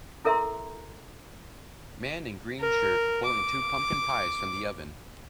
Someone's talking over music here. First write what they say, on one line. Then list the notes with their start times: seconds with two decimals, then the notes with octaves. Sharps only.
Man in green shirt pulling two pumpkin pies from the oven.
0.25 E4 A4 A#4 E5 A#5 C6
2.60 A#4
3.25 D6